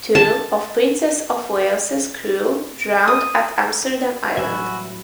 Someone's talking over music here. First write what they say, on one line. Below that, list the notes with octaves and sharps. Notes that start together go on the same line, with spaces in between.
Two of "Princess of Wales"s crew drowned at Amsterdam Island.
A5
D#6
A2 E3 F#3 G3 F#4 E5 G#5 B5